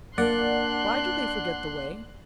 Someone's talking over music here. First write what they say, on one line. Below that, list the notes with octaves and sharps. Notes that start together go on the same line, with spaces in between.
"Why do they forget the way?"
A#3 D4 D5 F#5 C6 F#6